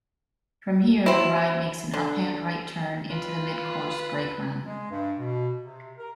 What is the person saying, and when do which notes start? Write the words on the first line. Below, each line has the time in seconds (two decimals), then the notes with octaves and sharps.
From here, the ride makes an up-hand right turn into the mid-course brake run.
1.06 F#3 C4 E4
1.94 D3
3.10 F4 B4
4.65 G#3
4.90 G2
5.17 B2
5.62 C3
5.97 A#4